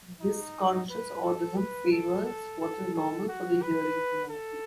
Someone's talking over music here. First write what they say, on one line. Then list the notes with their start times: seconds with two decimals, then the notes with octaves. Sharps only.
Dysconscious audism favors what is normal for the hearing community.
0.20 D#4
0.89 B4
1.23 A4
1.57 B4
1.91 A4
2.25 A4
2.60 A4
2.94 A4
3.28 F#4
3.62 B4
4.30 A4